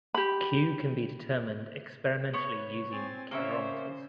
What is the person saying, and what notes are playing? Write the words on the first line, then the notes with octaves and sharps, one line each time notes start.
"Q" can be determined experimentally using calorimeters.
G4 B5
B3 C#5
C4 G#5 A6
C#3 A#3 C5 C#5 E5